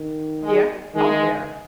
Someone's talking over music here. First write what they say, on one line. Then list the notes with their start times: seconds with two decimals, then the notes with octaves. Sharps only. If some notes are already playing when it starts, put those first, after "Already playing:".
Yeah. Oh, yeah.
Already playing: D#3
0.43 G#3
0.94 D#3 G#3